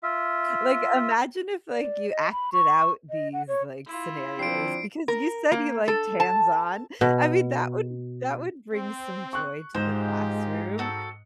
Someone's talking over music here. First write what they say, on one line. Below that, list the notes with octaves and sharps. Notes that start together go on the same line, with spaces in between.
like, imagine if, like, you acted out these, like, scenarios because you said you liked hands-on, I mean, that would that would bring some joy to the classroom
F4 E5
D5
D#5
B5
C#6
D#5
F#5
C#5
E4 F4
F3 C4 D4 C7 D7
A#4
A#3
A4
A5
B2
C4
C#6 F#6
G#2 G#3 F4 G4 C5
C4 F#4 A4